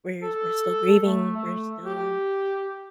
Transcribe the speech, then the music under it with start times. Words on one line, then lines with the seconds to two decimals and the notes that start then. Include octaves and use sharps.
we're s we're still grieving, we're still,
0.23 A4
1.04 A3
1.37 A3
1.85 G4